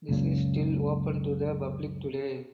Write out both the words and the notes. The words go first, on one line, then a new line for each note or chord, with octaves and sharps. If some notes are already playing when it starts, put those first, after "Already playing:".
This is still open to the public today.
F#1 C#2 A#2 C#3